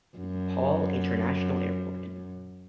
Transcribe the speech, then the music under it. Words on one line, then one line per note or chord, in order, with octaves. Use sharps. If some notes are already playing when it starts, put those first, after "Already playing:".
Paul International Airport.
F#2